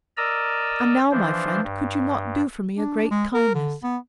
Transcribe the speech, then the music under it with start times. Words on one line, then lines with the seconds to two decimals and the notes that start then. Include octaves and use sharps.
And now, my friend, could you not do for me a great kindness?
0.17 A#4 D5 D#5 A#5 E6
1.11 E3 F3 D4 C5
1.63 G2
2.77 D4
3.11 G#3
3.34 A#4
3.54 D3
3.83 B3